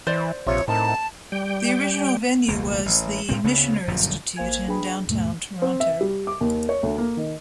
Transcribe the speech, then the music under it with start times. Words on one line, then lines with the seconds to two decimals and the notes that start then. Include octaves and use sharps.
The original venue was the Michener Institute in downtown Toronto.
0.07 E3 C5 D5
0.47 A#1 C3 F4 C#5 E5
0.68 A2 C4 D#4 A#4 A5
1.32 G3 G5
2.48 E1 C#2 A3 A#3
2.86 A1
3.29 D2 A2 G3 C4
3.44 D2 C#3 B3
3.88 G1 F#2 A#2 F3
4.36 A1 A#3 C5 F5 G#5 G#6
4.68 D4 G#4 B4 G5 B5
5.07 D#2 G#2 B2 A3
5.62 C4
5.80 E5
6.01 G3
6.27 D6
6.41 D#2
6.69 C#5
6.83 D2
6.98 A#3
7.17 D#3